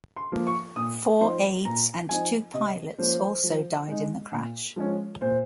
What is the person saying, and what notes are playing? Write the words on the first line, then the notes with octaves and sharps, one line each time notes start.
Four aides and two pilots also died in the crash.
C6
F3 A#3
C#6
A#2 D#6
F3 C4 D#4 C6
A#2 A#5
F3 C4 D#4 G#5
C3 D#5
F3 A#3 C#4 C5
F3
G#3 D#4
A#2
F3 G#3 C#4
A#2 C5